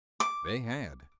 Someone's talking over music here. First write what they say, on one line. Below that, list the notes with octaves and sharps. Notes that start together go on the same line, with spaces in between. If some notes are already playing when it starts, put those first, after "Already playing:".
They had.
D6